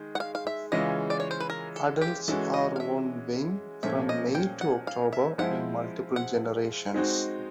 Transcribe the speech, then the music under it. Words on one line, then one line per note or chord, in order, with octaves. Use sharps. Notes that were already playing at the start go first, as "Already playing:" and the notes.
Adults are on wing from May to October in multiple generations.
Already playing: D#3 G#3
F#5
F5
F5
E5
C#3 E3 G#3 C#4 F4 D#5
D5
C#5
C5
B4
A#4
A4
G4
E3 G#3 C#4 F#4 A4
D#5
F5
E5
A#2 F3 A3 C#4 E5
D#5
G5
F#5
F5
E5
F3 G#3 C4 E4 F#5
F#5
G#3 C4 D#4 F#4